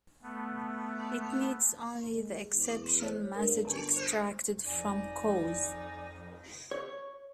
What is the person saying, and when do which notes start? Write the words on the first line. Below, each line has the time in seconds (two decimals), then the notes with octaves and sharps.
It needs only the exception message extracted from "cause".
0.22 A3 B3
2.14 G#3
2.51 E2
3.03 C5 C#5
3.36 G2 A#4
3.65 G1 D4 A5 A#5
3.97 C5
4.66 F2 D#4 D5 G#5
6.71 C#5